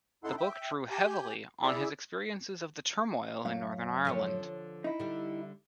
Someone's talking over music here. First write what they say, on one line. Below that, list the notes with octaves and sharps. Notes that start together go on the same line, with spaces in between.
The book drew heavily on his experiences of the turmoil in Northern Ireland.
F#2 D#4 E4 A4 F#5 C6
E5 G5
G4 G#5 G6
E4 G#4 D5 E5
F#2 A3 F5
D3 F3 C#5
D#4 E4
D3 G3